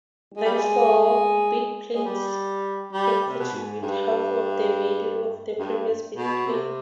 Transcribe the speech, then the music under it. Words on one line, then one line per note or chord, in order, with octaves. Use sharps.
Therefore, bit planes can contribute half of the value of the previous bit plane.
G#3
G3
G#3
G#3
G3
G3
C3
B2
G#2
G2
G2
B2
C3